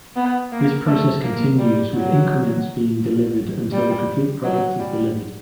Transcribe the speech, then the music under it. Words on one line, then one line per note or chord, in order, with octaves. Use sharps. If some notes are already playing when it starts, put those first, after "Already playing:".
This process continues, with increments being delivered until the complete product is delivered.
B3
A#3
A3
A#3
G3
F#3
G3
F#3
G3